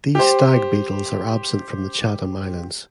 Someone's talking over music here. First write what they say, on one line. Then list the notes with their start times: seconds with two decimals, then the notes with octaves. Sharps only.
These stag beetles are absent from the Chatham Islands.
0.15 G4 C5